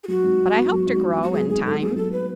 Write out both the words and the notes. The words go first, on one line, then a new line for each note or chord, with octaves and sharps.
But I hope to grow, in time.
G#4
F#3 F#4
G#1
G#2
B3
F#3
G#1
G#2
B3 F#4
F#3 G#4
G#1 G#4
G#2 A4
B3 G#4
F#3 A4
B4